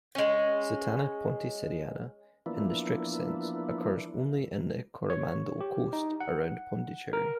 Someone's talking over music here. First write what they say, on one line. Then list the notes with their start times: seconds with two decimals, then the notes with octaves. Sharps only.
"Sitana ponticeriana" in the strict sense occurs only in the Coromandel coast around Pondicherry.
0.15 G#3 C#4
2.46 E3 F3 A#3 B3 D4 E4
5.10 C#5
5.61 G4
5.93 D#4
6.20 F#5
7.13 A#4